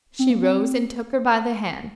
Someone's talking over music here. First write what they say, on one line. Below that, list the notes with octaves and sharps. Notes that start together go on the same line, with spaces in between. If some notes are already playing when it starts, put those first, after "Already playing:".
She rose and took her by the hand.
C4
A#3
C4